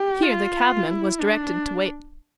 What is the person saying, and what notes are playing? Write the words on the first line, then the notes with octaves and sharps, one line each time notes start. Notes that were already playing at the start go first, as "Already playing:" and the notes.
Here the cabman was directed to wait.
Already playing: G4
F4
E4
D4